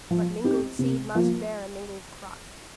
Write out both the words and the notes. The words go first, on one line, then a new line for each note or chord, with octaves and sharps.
But mingled seed must bear a mingled crop.
F3
C4 D#4 G4
C3
F3 A#3 F4